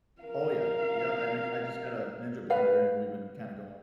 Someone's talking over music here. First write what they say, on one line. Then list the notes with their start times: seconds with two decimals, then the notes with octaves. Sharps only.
Oh yeah, yeah, I make I just got a ninja blender and we've been kinda goin
0.22 A#4 F5
2.50 B4 F5